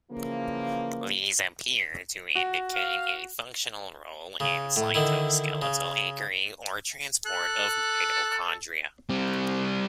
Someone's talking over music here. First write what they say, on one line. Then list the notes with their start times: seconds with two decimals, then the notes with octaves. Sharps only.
These appear to indicate a functional role in cytoskeletal anchoring or transport of mitochondria.
0.11 C#3 E3 F3 A#3
2.35 F#4
2.74 F5
4.40 C#3
4.76 A2
4.94 D3 D#3 E4
5.62 C#3
7.26 A4 F#6
9.10 G3 C4